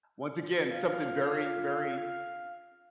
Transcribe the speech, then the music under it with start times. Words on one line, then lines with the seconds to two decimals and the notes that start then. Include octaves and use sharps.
once again, something very, very
0.71 F4 F5